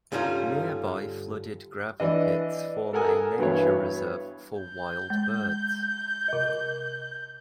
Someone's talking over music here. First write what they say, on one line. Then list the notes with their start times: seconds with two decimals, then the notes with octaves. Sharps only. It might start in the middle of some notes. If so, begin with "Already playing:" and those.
Nearby flooded gravel pits form a nature reserve for wild birds.
0.12 G2 D3 G3 C#4 D#4 F4
2.00 E3 D4 D#5
2.93 A4 A#4 F#5 G#5 D#6
3.39 G2 B2 E3 B3 C#5
4.61 G6
5.10 G#3
6.28 C3 D#5